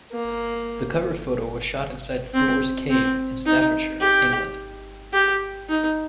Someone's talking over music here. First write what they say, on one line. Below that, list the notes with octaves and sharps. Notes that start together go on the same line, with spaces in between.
The cover photo was shot inside Thor's Cave in Staffordshire, England.
A#3
C4
C4
D#4
G4
G4
D#4